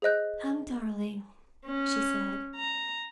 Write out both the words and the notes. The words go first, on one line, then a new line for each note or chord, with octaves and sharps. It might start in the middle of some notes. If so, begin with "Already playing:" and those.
"Come, darling," she said.
G#4 C5 D#5 F#6 G6
C#4
A#5